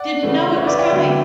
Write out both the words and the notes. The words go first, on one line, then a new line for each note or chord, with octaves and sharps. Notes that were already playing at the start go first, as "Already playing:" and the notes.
Didn't know it was coming.
Already playing: D5 F#5
C#3 E3 A3
C#5 E5
B4 D5
E5 G5
D3 F#3 B3 E5 G5